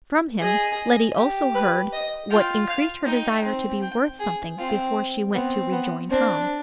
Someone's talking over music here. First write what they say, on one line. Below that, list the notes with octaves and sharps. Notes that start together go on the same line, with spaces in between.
From him Letty also heard what increased her desire to be worth something before she went to rejoin Tom.
G#4 D#5
G4
B4
D#5
F4 G5
F5
D#4 G5
C4
G5
G#4
C4 F4
B3 C4
B3
C4 D4